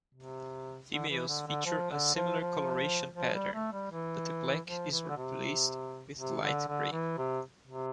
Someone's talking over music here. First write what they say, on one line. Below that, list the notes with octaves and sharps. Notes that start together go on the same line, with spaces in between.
Females feature a similar coloration pattern, but the black is replaced with light grey.
C3
D3
E3
D3
D3
F3
D3
F3
F3
F3
G3
A3
G3
E3
F3
E3
D3
C3
C3
D3
D3
E3
C3
C3